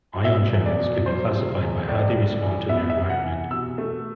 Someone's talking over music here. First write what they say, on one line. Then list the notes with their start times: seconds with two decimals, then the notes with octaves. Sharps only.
Ion channels can be classified by how they respond to their environment.
0.25 B2 E5
0.52 E2
0.66 D5
0.79 B2
1.06 F#3 C5
1.34 C3
1.61 E2
1.88 A2 D5
2.15 G3
2.42 E3
2.69 B3 E5
2.90 E5
2.96 C3
3.10 F#5
3.24 E3
3.51 B2 E6
3.78 A3